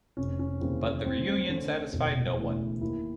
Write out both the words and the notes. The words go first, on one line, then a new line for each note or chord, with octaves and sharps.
But the reunion satisfied no one.
F1 C#4
C#4
D#2 C#3 E3 C4
C#4
D2 C4
C4
D3 C#4
E1
D2 C#3 E3
D#2 E4